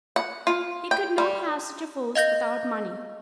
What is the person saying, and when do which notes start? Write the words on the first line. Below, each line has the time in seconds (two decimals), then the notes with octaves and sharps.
He could not have such a force without money.
0.16 F#5
0.47 F4
0.91 G5
1.18 G3
2.16 D#5 F5 G6 A#6